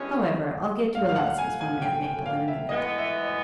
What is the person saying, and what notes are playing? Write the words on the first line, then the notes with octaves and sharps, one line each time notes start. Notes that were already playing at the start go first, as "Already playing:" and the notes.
However, I'll get you a licence from Aunt Maple in a minute.'
Already playing: G2 E3 G#3 C#4
F5
F5
F#5
G#5
G#5
G5
G5
F5
E5
E3 G#3 B3 D#5
E5
D#5